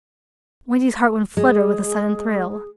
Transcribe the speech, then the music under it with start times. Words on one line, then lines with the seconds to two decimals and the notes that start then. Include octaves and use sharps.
Wendy's heart went flutter with a sudden thrill.
1.37 G#3 G#4